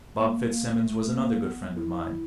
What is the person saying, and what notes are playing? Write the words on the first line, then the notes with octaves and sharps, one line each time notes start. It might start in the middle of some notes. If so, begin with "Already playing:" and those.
Bob Fitzsimmons was another good friend of mine.
A#3
A#3
A3
A#3
B3
E4